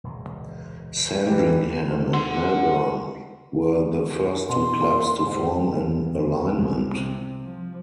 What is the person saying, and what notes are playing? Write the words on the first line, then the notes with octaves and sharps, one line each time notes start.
Sandringham and Melbourne were the first two clubs to form an alignment.
E1 C#2 A#2
E3 D#4 G4
F#5 C6
B2 C6
A#3
G#2
E2
C2
C3
F3